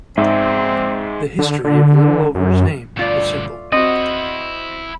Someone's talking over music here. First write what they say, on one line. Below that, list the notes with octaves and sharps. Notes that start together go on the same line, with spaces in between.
The history of Littleover's name is simple.
G#2 G#3 C4 G#4 D5 E5
D3
D3
F#2
D2 G2 A3 F4 D5
C4 E4 F#4 D#5 F#5